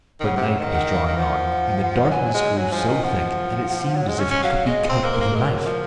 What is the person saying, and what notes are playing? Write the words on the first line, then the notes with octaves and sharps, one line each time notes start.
But night was drawing on, and the darkness grew so thick that it seemed as if it could be cut with a knife.
D#3
C#3 F#5
C3
C#3
D#3
F#5
D#5
F5
D#3
F3 F#5
F#3 G#5
G#3
F#3
F3
D#3
F3 F#5
F#3
G#3
C#4
C#4
F#3 F5
G#3 D#5
C4 C5
A#3
A#4
A#3
G#4
G#3 A#4
F#3
F3